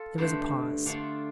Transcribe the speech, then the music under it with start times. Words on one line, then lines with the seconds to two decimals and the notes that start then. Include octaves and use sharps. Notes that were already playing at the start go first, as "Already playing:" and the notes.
There was a pause.
Already playing: F4 A4
0.18 G2 D3 A3 C5
0.86 D3 A3 D4 F4 F5